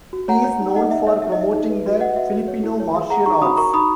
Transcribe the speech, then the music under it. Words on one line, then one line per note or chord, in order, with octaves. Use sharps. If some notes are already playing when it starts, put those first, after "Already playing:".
He is known for promoting the Filipino Martial Arts.
F#4
C#5 F#5 A#5
C#5
D#4
D#4 D#5 F#5
D#4 E5
C#5 E5
C#5 E5
D#5
D#4 E5
D#4
B4
F#4
B4 D#5 F#5
F#4 E5
F#4
C#5
E4
C#5
G#4 E5
G#4 F#5 A#5
D#4 A#5 C#6
F#4 B5 D#6
A#4 A#5 C#6
D#4 B5 D#6